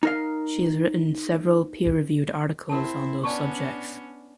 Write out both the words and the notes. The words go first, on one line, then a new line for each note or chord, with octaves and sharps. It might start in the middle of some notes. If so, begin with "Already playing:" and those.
She has written several peer reviewed articles on those subjects.
D#4 A#4 F5
C4 E4 A#4 A5
B3 C#4 D4 D5 A5 C#6